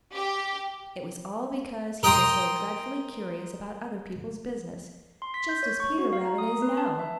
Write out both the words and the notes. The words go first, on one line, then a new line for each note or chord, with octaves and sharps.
It was all because he was so dreadfully curious about other people's business, just as Peter Rabbit is now.
G4
A#4 D#5 G5 A#5 C6
C6
B6
G6
C#5
C#6
F#4
F5
A#5
D#6
B4
A5
E5